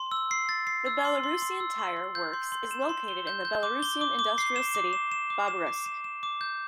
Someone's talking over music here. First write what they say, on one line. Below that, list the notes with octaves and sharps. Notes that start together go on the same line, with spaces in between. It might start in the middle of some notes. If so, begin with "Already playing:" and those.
The Belarusian tyre works is located in the Belarusian industrial city Babruysk.
Already playing: C6
E6
C7
A6
C7
E6
C6
C6
C6
E6
C6
C6
G6
C6
C6
E7
C6
G7
G6
G6
D6
G7
D6
D6
C7
E7
D6
E7
E7
D6
E7
D6
E7
E7
D6
G6